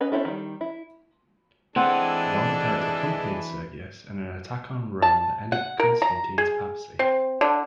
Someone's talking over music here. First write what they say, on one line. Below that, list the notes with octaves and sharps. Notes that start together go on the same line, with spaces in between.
Waldipert accompanied Sergius in an attack on Rome that ended Constantine's papacy.
C#4 B4 D#5
C4 C#4 E4 A4
D#3 G3
E4
E3 G#3 C4 D4 A4 F#5
A5
F#5
A#4
A#5
G#4
C4
D3